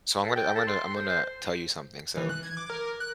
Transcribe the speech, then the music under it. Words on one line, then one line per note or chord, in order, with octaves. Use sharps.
so I'm gonna I'm gonna I'm gonna tell you something, so,
A4
G5
A4
C6
C5
C5
E3
F#6
G#6
D6
A#4
F#6